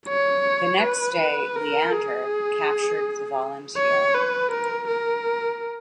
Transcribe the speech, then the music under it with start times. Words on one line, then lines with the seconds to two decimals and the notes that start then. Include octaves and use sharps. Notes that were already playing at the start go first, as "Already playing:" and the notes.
The next day "Leander" captured the "Volunteer".
0.08 C#5
0.82 B4
1.56 A#4
1.93 G#4
3.77 C#5
4.14 B4
4.52 A#4
4.88 A#4